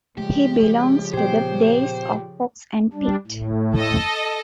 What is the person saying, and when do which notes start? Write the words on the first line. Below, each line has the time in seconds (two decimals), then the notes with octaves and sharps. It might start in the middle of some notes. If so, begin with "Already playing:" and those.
He belongs to the days of Fox and Pitt.
0.18 C#3 F3 G#3 A3 G4
1.14 A#2 B3 G4 C5 G5
2.93 G3 D4
3.27 A2
3.76 A4 D#5